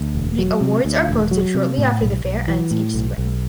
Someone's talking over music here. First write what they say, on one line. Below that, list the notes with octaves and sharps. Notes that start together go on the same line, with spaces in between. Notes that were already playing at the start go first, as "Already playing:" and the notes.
The awards are posted shortly after the fair ends each spring.
Already playing: D2
E1
F#3
C3
D2
E1
F#3
C3
A2
B1
B1
E3
A2
B1
B1